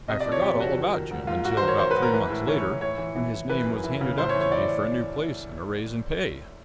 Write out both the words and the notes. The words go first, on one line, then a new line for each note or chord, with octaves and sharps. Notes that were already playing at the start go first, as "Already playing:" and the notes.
I forgot all about Jim until about three months later, when his name was handed up to me for a new place and a raise in pay.
C3 D#5
D5
F2
C#5
C3 G4
F2 F#4
D#3
D#3
G#2
G#2 F4
G#2 F#4
C5
D#3
C#5
D#3 C5
B4
G#2
A#4
E3 B4
A2
E3 C#5
C#5
A2
A2 C#5
E3
E3
E3
E3 B4
F#2
E3
C#3
A2 C5
C#5
E3
C#5
E3 D5